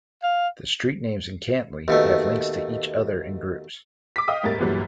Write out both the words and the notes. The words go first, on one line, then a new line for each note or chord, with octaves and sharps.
The street names in Cantley have links to each other in groups.
F5
D#2 B2 A3
D6 B6
D#5 F5 G5 D#6
E2 A2 G3 A#4 A6
G1 C#2 A#2 E3 F#3 G3